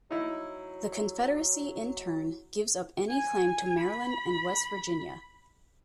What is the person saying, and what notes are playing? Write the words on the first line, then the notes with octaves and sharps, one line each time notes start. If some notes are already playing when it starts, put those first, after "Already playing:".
The Confederacy, in turn, gives up any claim to Maryland and West Virginia.
F#3 D#4 E4
G#5
B5